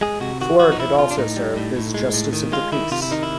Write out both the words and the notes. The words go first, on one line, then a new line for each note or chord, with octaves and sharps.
Ford had also served as justice of the peace.
G#3 G#4
C3 F#4
D#3 F#4
F3 F#4
D#4
F3 E4
C3 F4
D4
A2 D#4
G3
A2
A2
G#3
A2
D#3
G#3 F4
D#3 E4
C3 F4
E4
D#3 D#4
E4